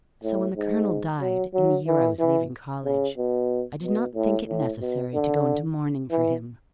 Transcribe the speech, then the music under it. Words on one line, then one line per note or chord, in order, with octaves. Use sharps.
So, when the Colonel died, in the year I was leaving college, I did not think it necessary to go into mourning for him.
A2
G#2
F#3
F#3
E3
E3
C#3
B2
B2
A2
A2
B2
D3
E3